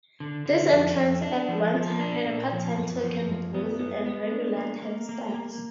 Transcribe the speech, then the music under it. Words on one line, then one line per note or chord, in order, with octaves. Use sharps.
This entrance at one time had a part-time token booth and regular turnstiles.
D3
D3
F2
F2
D4
F3
F3
D4
A#2
F3
F#2
F3
F#2
B3
B3
B3
D4
A#3
A#3
A#3
A#3